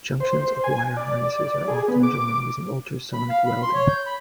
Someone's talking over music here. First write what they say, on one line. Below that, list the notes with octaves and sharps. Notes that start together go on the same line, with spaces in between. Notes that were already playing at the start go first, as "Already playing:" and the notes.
Junctions of wire harnesses are often joined using ultrasonic welding.
C5
G#5
D5
G#4
B3
D6
B5
F5
B5
C6
C#5
G6
B5